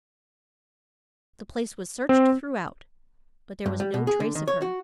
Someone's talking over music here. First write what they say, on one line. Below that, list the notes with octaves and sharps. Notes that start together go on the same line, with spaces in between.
The place was searched throughout, but there was no trace of her.
C4
G2
G3
B2
G#4
D3
D#3
C#5
F#4